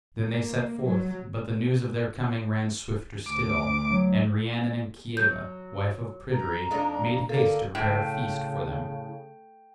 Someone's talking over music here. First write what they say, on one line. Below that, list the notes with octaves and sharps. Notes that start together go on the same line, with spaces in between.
Then they set forth, but the news of their coming ran swifter still, and Rhiannon and Kieva, wife of Pryderi, made haste to prepare a feast for them.
A#3
F#3
D2 D6
F#3
F#3 G6
A#5
F2 D4 D#4
D3 A#3 A4
A2 C#3 G5